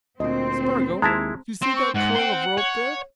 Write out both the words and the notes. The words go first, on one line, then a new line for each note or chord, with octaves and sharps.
Spargo, you see that coil of rope there.
D2 A#2 C4 C5 D#5
D#2 G#3 E4 A5 A#5
C4 C6
C#6
G#2 F#5
C5 G5
C#5